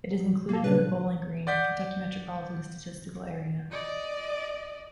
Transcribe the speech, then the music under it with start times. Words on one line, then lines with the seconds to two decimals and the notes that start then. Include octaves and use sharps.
It is included in the Bowling Green, Kentucky Metropolitan Statistical Area.
0.11 F#3
0.49 B2 A#3 A4
0.64 A#2 C#3 D4 B4
1.47 D5 F#5 G6 B6
3.72 D5 D#5